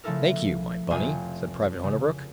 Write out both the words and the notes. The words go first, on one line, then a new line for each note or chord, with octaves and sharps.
"Thank you, my bunny," said Private Hornabrook.
C#3 F3 A3 E4 A4 A#4
F1 C4 F4 G#5
C#3